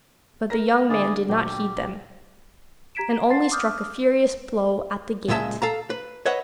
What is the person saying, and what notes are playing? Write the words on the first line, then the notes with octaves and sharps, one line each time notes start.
But the young man did not heed them, and only struck a furious blow at the gate.
A#4 A#5 A#6
D3 E4 G#4 D5
A#2 F#3 G4 G5
G4 A#5 G#6 B6 D7 E7
F#5 A5 C6 A6 C7
D6 D#6 F6 G6
C#2 A#2 G#3 E5 A5
A4 F5 A#5
B4
B4 C#5 D#5 E5 F#5